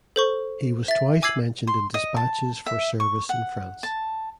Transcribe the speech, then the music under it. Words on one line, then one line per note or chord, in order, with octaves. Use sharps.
He was twice mentioned in despatches for service in France.
A4 C5 C#6
E5 A6
G#5 D6 E6 G#6 C7 F#7
C6
D#5
A5
E5
C#6
F#5
A5